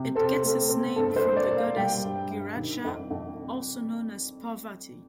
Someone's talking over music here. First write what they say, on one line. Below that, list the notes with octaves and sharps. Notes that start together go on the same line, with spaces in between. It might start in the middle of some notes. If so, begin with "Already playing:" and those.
It gets its name from the goddess Giraja, also known as Parvati.
Already playing: C3
C4 A4
A3
C4
G2 A4
C5
A#3
D5
A#3
F5
G3 G5
G2
G2
D#3
F2
F2